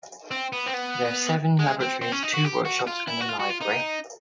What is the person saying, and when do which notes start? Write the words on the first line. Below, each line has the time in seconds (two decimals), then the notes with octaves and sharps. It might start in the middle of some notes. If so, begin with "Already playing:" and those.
There are seven laboratories, two workshops and a library.
0.31 C4
0.52 B3
0.66 C4
0.74 B3
1.59 G#3
1.80 C4
2.02 C4
2.12 C#4
2.23 D#4
2.34 F#4
2.45 G4
2.65 F#4
2.87 F4
3.08 E4
3.21 F#4
3.29 F4
3.40 F#4
3.50 F4
3.62 D#4